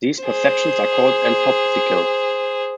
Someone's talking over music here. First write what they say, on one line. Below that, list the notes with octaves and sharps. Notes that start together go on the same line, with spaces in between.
These perceptions are called "entoptical".
G#4 C5